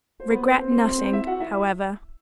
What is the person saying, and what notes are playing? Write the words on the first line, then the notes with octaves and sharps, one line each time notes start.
Regret nothing, however.
C5
B3 B4
B3 B4
C4 C5
C4 C5
C4 C5
C4 C5
E4 E5
F#4 F#5
E4 E5